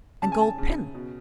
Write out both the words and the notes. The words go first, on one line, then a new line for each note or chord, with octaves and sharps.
And gold pin.
C#3 A5
G#5
A5
C#3
B2